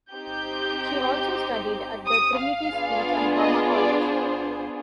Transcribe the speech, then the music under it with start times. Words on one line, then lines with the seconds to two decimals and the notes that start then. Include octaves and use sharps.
She also studied at the Trinity Speech and Drama College.
0.11 C4 D#4 G4 G6
2.07 D#6
2.39 F5
2.72 B3 D4 F4 G#4
3.36 D#5
3.70 D5
4.02 C5